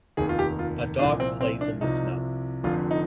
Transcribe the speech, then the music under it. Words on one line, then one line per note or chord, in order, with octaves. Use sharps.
A dog plays in the snow.
F1 D#2 D#3 G#4
F4
G4
F4
C2 A#2 F3 D4
C4
C4
D4
C2 C3 F3 D#4
F1 F2 D3 F3 F4
D#4